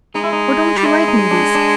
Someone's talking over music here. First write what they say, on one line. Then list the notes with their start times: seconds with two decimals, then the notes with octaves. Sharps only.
Or don't you like movies?
0.15 G#3 D#4
0.24 E4
0.33 D#4
0.78 G3
0.85 G#3 E4
1.08 D#4
1.31 D4
1.55 D4